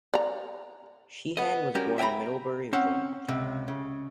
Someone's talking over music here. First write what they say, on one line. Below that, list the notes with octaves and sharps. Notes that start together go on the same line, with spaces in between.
Sheehan was born in Middlebury, Vermont.
D5 A#5
B3 D#5
G3 C#4 F#4 G4 A#4
E5 G5 G#5 A#5 B5
C4 C#4 F#5
C#2 C3
C#3